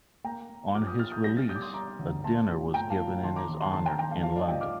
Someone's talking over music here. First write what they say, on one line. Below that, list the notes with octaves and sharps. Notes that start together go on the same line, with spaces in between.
On his release a dinner was given in his honour in London.
A#3 G5 A#5
A#3
F3 D6 F6
D#6 G6
A#3 F6 A6
D#6 G6
G3 G6 A#6
F6 A6
G3 D#6 G6
D6
C6 D#6
G3 A#5 D6
D2
A3 A5 C6
A#2
A3 G5 A#5
F5 A5
A#2
D#3 A5 C6
A#5 D6
D#2
A5 C6
D#2 A5 C6
G5 A#5
D#3 G5 A#5
F5 A5
F3 F5 A5
D5 F5
G2 D#5 G5
D6 F6